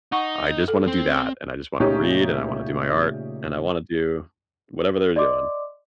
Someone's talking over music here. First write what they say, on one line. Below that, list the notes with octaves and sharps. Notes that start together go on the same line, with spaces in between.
I just wanna do that, and I just wanna read, and I wanna do my art, and I wanna do whatever they're doing.
D#4 F#5 C#6
A4
C4
A#2 C#3 A3 C#4 D#4 G4
D5 D#5 C6 D6